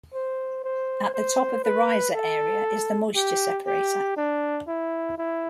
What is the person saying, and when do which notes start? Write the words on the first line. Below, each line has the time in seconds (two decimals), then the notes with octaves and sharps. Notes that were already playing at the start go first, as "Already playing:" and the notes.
At the top of the riser area is the moisture separator.
0.13 C5
0.64 C5
1.14 C5
1.64 B4
2.15 A4
3.15 G4
3.66 G4
4.16 D4
4.68 E4
5.18 E4